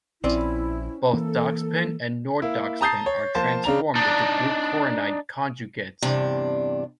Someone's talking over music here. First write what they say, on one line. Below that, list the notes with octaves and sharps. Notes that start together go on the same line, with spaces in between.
Both doxepin and nordoxepin are transformed into glucuronide conjugates.
A#1 C4 C#4 E4 D5
E3 A#3 A4
A#3 E4
A5 A#5 D#6 G6 A6 C7
C#5
F3 A#3 C5 A5 A6
C#3 D4 A#5 F7
D4 D#4
E2 G2 C3 D4